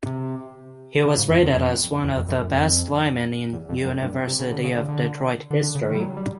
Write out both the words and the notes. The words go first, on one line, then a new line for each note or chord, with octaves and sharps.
He was rated as one of the best linemen in University of Detroit history.
C3
C#3
G#2
F2
E2
F2
E2
F2
F#2
F#2
F2
E2
F2
F#2
G2
C3
C3
C#3
D3
C#3
D3
D3
D3
D3
C#3
D#3
G3
F#3
G3